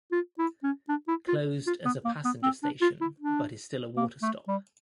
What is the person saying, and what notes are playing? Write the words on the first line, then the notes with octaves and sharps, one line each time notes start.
Closed as a passenger station but is still a water stop.
F4
E4
C#4
D4
E4
F4
F4
B3
A#3
B3
C4
D4
F4
E4
D4
A#3
A3
G3